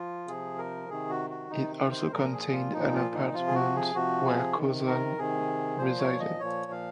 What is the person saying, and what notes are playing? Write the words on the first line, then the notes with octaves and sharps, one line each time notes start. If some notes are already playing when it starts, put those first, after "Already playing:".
It also contained an apartment where Kozan resided.
Already playing: F3 F4
C3 F3 G#4
A#4
C3 D#3 G#4
F#4
F#4
C3 D#3 D#4
C5
A#2 F3 A#4
G#4
F4
A#2 F3 D#4
F4
D#4
C3 F3 F4
G#4
F#4
G#4
C3 F3 F#4
G#4
C3 D#3
A#4
C3 D#3 G#4
A#2 F3 C5
C#5
D#5
A#2 F3 C#5
F5